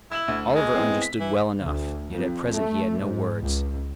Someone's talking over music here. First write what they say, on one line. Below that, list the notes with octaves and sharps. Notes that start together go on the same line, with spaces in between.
Oliver understood well enough, yet at present he had no words.
E4 E6 E7 F#7
D2
G#3
E3 B3 C4
B6
E3
D2
F2
A3
G#2
C#2